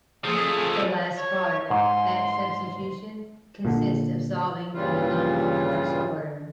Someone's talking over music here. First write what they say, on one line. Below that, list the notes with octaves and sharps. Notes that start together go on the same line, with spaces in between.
The last part, back-substitution, consists of solving for the known in reverse order.
F3 A3 G#4
C#5
G#2 C6
A#2 D3
G2 A#2 C#3 E3 G3 F4